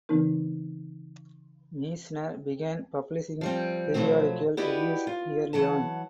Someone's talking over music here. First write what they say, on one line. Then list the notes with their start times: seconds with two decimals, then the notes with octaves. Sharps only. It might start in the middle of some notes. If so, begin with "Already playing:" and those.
Meissner began publishing periodical reviews early on.
0.09 C#3 E3 B3 C4 D#4 A#4
3.41 F3 G3 C4
3.94 B2 F3 F#3 A3 C4
4.57 E4 F#4 G4 B4 D5 D#5
5.07 F4
5.53 E3 F#3 F#5 A5